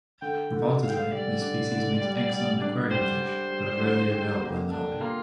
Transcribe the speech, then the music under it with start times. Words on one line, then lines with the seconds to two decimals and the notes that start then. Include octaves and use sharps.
Reportedly this species makes excellent aquarium fish but are rarely available in the hobby.
0.22 D3 G5
0.52 D3
0.82 D3 F5
0.89 G5
0.96 F5
1.11 G3 D5
1.42 D4
1.72 D3
2.01 G3
2.31 G3
2.62 D4
2.91 G3 C5
3.21 G3
3.51 G3
3.81 D3
4.11 G4
4.41 A#3
4.71 D3 D4
5.01 A#3 F4